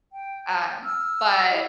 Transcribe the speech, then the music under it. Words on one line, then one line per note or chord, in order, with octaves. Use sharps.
um, but
G5
E6 F6
E4 G4 C#5 D#5